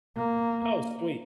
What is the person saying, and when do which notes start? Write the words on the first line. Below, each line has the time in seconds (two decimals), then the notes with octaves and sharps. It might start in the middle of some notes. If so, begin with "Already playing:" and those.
Oh, sweet.
0.17 A#3